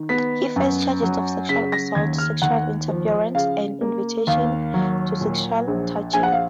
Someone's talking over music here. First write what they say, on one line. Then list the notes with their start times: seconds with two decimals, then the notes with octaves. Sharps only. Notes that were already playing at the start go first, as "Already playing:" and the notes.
He faced charges of sexual assault, sexual interference and invitation to sexual touching.
Already playing: D#3
0.09 B3 B6
0.56 F#2
1.03 F#3
1.49 C#3 B6
1.72 A#6
1.95 D#2 G#6
2.18 F6
2.42 D#2 F#5
2.88 F3
3.34 C#3 F5
3.81 A#3
4.27 D#2 F5
4.74 F#3
5.21 A#2
5.68 A#1
6.13 A#1 G#5
6.23 F#5
6.32 F5